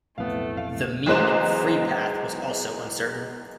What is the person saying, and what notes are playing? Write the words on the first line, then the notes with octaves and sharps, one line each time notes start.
The mean free path was also uncertain.
B1 F2 A2 A3 B3 F5
F5
B1 E2 G#3 C5 F#6 E7